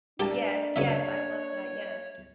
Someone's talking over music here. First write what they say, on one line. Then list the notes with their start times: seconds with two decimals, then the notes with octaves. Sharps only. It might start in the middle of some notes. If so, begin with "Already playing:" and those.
Yes, yes, I love that, yes.
0.20 A3 A#3 D4 G4 D5 G5 A5
0.76 F#2 C#3 C#5 E5